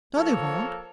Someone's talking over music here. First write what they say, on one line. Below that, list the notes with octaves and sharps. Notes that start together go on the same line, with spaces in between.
"No, they won't...."
F3 A#3 A4 A#4 C#5